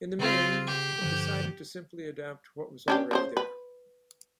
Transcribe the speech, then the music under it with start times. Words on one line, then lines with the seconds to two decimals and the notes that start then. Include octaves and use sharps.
In the main, it decided to simply adapt what was already there.
0.19 C#3 C4 F4
0.67 G4
1.02 G2 D3 F3
2.88 C#4 D4 G4
3.11 C#3 D4 C5
3.37 B4